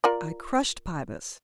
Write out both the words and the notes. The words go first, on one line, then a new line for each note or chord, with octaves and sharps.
I crushed Pybus.
F4 A#4 D5